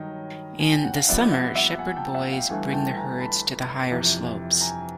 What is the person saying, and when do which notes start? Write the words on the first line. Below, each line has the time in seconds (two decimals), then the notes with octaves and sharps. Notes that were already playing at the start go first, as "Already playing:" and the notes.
In the summer shepherd boys bring the herds to the higher slopes.
Already playing: G2 D#3 F#3 C#5 D#5
0.60 G#5
0.72 G5
0.84 F#5
0.96 F5
1.09 A#1 A#2 G3 B3 D5 E5
1.32 E5 F#5
1.55 E5 F#5
1.79 F#5 G#5
1.96 G5 A5
2.14 E5 F#5
2.32 F5 G5
2.49 G1 G2 E3 A3 F#5 G#5
2.73 G5 A5
2.96 G#5 A#5
3.20 A5 B5
3.91 F2 C3 E3
4.61 G#5 A#5